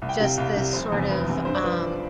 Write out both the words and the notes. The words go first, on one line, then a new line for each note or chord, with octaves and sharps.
just this sort of, um
C2
G5
F5
C3 G3 G5
C2 F5
C3 G3
F1 C5
E2 C3
F1 B4
E2 C3
G2 C5
D5
F3 B4